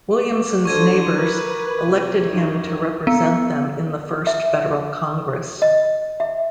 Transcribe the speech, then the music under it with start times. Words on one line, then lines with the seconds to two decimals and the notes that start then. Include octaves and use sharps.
Williamson's neighbors elected him to represent them in the first federal Congress.
0.19 D6
0.65 D3 A4 C5 C#6 G#6 D#7
1.14 A#4 B4
1.86 C3
2.31 F#2 D#3
3.07 B3
4.27 E5
5.62 D#5
6.20 E5